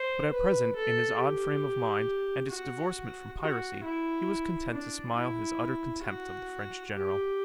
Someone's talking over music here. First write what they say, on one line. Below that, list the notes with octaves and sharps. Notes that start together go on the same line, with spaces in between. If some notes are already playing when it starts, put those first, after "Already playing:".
But at present, in his odd frame of mind, and its divorcement from piracy, he was content to smile his utter contempt of the French General.
Already playing: C5
B4
A4
G4
F#4
F#4
E4
D4
E4
F#4
G4